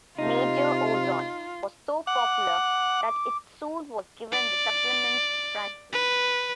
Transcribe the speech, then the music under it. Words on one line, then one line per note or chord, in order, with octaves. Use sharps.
"Major Ozone" was so popular that it soon was given the supplement's front page.
C3 D#4 F4
F#5 D6
D5
B4